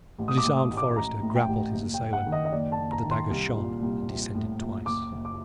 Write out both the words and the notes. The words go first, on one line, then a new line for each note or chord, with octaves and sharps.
The disarmed forester grappled his assailant; but the dagger shone and descended twice.
A1
D#6
D6
A2
D#6
A1
D6
A1 A#5
A2
G5
A1
F#1
G5
F#1
F#5
D#3
D#5
D#5
F#1 D5
A5
F#1
A#5
D#3
C6
C2
A#2
C2
A#1
A2
A#1
F#1 D6
F#1
D6